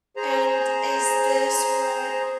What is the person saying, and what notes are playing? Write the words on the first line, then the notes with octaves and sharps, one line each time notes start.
and is this what
G#4 C5 A#5